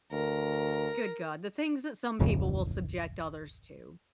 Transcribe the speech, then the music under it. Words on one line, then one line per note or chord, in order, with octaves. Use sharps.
good god, the things that some people will subject others to.
D2 A#4
D1 A1 F2 C#3